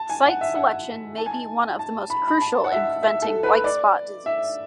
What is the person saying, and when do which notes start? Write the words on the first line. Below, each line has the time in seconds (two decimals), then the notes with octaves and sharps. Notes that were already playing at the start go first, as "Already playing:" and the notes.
Site selection may be one of the most crucial in preventing White Spot Disease.
Already playing: A5
0.10 G#5
0.26 F#5
0.41 E5
0.55 F#5
1.18 A5
1.26 G#5
1.33 A5
1.79 A5
2.10 B5
2.28 B5
2.41 A5
2.64 F#5
2.72 E5
3.03 E5
3.22 A4
3.43 B4
3.64 D5
4.26 E5